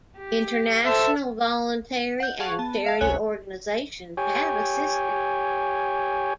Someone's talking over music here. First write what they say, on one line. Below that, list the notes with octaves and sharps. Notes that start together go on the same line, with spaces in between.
International voluntary and charity organisations have assisted.
G4
A4 C5 E5
F#5 G6
G#4 F5 F#5 A5 C#6 F#6
B3 A5
E5 F5 A5
G1 C#2 C3 C#5 G#5 F#6
G4 C#5 G5 G#5